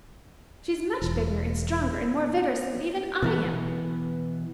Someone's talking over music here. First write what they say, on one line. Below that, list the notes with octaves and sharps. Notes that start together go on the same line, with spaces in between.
She's much bigger and stronger and more vigorous than even I am.
E1
B2 E3 B3